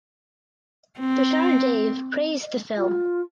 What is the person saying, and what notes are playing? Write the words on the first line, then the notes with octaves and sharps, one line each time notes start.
Tushar Dave praised the film.
C4
F4